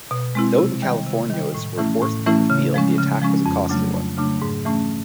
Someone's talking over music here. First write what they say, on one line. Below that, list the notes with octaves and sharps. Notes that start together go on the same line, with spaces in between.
Though the Californios were forced from the field the attack was a costly one.
B2
G#3 C4 E4
C3
D#3 G3
C3
D#3 G3
A2
E3 A3 C#4 E4
A2
E3 A3 C#4 E4
C#3
F3 G#3 C#4
C#3
F3 G#3 C#4
F2
C#3 F#3 A3 D4
F2
C#3 F#3 A3 D4
G#2
E3 A3 C#4